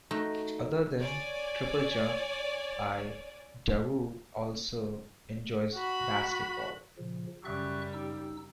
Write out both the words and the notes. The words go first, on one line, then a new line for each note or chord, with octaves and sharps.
Other than triple jump, Idowu also enjoys basketball.
A3 D#4 F#4
C#5 D5 G#5
F#4 B5
A#2 C#3 F3
F#2 C#3 G3 E5 C#6 F#6
D#4 E6